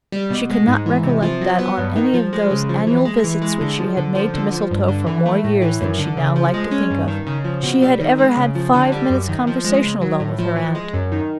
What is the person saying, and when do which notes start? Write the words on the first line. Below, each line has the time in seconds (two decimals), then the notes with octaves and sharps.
She could not recollect that, on any of those annual visits which she had made to Mistletoe for more years than she now liked to think of, she had ever had five minutes' conversation alone with her aunt.
0.12 G3
0.30 B2
0.50 G#3
0.67 G#2
0.86 E3
1.03 C3
1.22 F3
1.41 F#3
1.59 B3
1.78 G2
1.96 D#3
2.13 F3
2.33 G#3
2.50 C#3
2.69 F3
2.87 E3
3.05 G#3
3.24 E3
3.42 G#3
3.61 D3
3.79 F3
3.97 D3
4.15 F3
4.34 D3
4.52 F3
4.71 G2
4.88 D3
5.07 E3
5.26 A3
5.44 A2
5.62 E3
5.81 F#2
5.99 D3
6.17 C#3
6.36 F3
6.54 G#3
6.71 C#4
6.90 G2
7.08 D#3
7.27 C#3
7.44 F3
7.63 B2
7.82 G3
8.00 D#3
8.18 G#3
8.37 C#3
8.55 F3
8.74 D3
8.92 G3
9.10 F#2
9.29 D#3
9.47 F3
9.64 G#3
9.84 C#3
10.01 F#3
10.20 A2
10.38 F3
10.56 E3
10.75 G#3
10.93 F#2
11.12 D#3